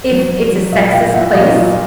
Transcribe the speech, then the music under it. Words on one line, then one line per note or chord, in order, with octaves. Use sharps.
if it's a sexist place
F#3
F#3
F#3
A#2 D#5 F5
A#2 F5 G5
A#2 E5 F#5
F#3 D#5 F5
A#2